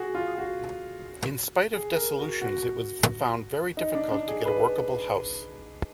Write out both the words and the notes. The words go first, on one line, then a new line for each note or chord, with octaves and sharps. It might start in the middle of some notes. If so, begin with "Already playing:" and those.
In spite of dissolutions it was found very difficult to get a workable house.
Already playing: F#4 G#4
F4
F#4
G#4
A#4
F#4
F#4
D#4
D4
D4
G#4
B4